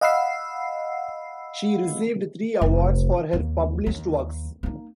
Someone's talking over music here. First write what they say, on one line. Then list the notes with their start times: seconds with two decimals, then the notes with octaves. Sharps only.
She received three awards for her published works.
0.01 D#5 F5 F#5 B5 E6 C7
2.61 F1 F2
3.33 D#2 A#3
3.86 D#2
4.63 A#3 D#4